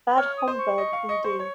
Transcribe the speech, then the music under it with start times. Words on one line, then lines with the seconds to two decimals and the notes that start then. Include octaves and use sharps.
Bad Homburg v.d.
0.17 C#5 F6
0.37 D#6
0.47 C5
0.58 C#6
0.78 D#5
0.93 F5
1.09 D#5
1.24 C5
1.39 C#5